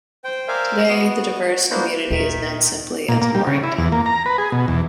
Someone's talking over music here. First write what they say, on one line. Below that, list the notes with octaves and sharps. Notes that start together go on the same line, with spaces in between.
Today, the diverse community is known simply as Warrington.
C5 G5
A#4 C5 D5 E5 F5 G#5
B3 F#4 D#5
F#4
A#3 B3 D4 E4 F#4 C5
D#2 A#2 D#3 E5
A#2
A#3
G3
C#3
E4
E2
A#3
A#5
B4
G#4
B2
E2